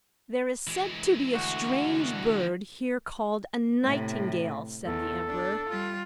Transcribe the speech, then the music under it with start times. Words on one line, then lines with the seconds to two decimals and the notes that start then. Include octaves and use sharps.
"There is said to be a strange bird here called a Nightingale!" said the Emperor.
0.67 E3 G#3
1.35 D2 F#4
3.83 A2 C3
4.86 E2 A4
5.30 D4
5.70 G3 F4